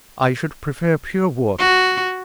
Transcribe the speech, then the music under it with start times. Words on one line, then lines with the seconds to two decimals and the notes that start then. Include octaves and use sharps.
"I should prefer pure water."
1.59 F#4